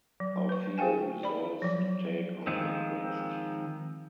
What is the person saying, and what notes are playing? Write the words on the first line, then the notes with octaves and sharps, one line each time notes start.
Orfeo resolves to take on the quest.
F#3
B4 C#6
G#4 C5 F5 G5 G#5
D5 B5
F3 F#3
D#3 F3 G#3 C4